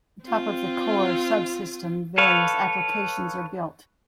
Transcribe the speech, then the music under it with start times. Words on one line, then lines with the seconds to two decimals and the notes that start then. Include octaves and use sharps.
On top of the core subsystem various applications are built.
0.25 C4 F4
2.18 A4 B4 C#5 F5